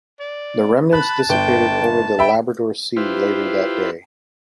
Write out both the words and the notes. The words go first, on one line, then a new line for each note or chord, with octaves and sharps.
The remnants dissipated over the Labrador Sea later that day.
D5
A5 B5 F#6
G1 G5
E5 G5 B5
E4 F4 G4 B4 C5